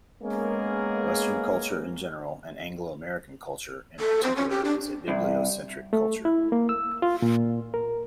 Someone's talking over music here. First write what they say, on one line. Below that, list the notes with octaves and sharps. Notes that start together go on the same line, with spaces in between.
Western culture in general and Anglo-American culture in particular is a bibliocentric culture.
G#3 A#3 B3 C#4 G#4 A#4
A4
C4
C#4
G4
D4
C2
A3
E4
A#3
E6
F4
A#2
A#4